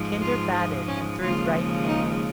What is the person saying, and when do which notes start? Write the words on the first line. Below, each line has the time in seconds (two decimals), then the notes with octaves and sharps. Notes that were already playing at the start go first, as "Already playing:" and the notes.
Kinder batted and threw right-handed.
Already playing: G#2 F3 G#3
0.22 F4
0.87 C#4
1.21 D#2 C#3 F3 G#3 F4
1.87 D#4